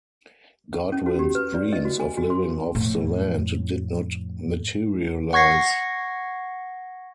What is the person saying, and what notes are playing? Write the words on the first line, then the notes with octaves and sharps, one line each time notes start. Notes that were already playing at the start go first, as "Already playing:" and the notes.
Godwin's dreams of living off the land did not materialize.
C#4
F#4
G4
B4
D5
D#5
F#4
G#5
F#4
C6
F2 A2
F#5 C#6 G#6 A#6 C7